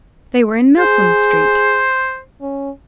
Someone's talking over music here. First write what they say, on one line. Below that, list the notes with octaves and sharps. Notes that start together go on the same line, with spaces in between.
They were in Milsom Street.
G#4 C5
C#4